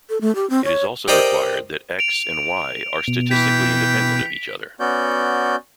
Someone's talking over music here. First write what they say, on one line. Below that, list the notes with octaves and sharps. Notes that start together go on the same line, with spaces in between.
It is also required that "X" and "Y" are statistically independent of each other.
A4
A3
G4
C4
C#5
G4 A4 A#4 C5 D5 D#5
D7 F7
B2
E3 G5 B6
B3 C#4 F#4 D5 G6